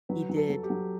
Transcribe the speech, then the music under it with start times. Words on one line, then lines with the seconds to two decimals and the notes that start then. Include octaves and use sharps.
he did
0.09 F#3 B4
0.29 F#3
0.36 A4
0.50 F#3
0.63 G4
0.70 F#3